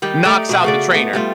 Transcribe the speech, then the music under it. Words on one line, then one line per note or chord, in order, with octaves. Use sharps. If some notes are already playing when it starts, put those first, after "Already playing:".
knocks out the trainer,
D#3 G3 G4
A3 D#4 D5
B2 D4 F#4
C#3 A3 D5
A3 B3
G3 A3 F4